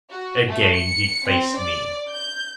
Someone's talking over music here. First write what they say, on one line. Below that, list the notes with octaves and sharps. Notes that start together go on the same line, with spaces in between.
Again he faced me.
F#4
A3
C#7
C4
D5
G6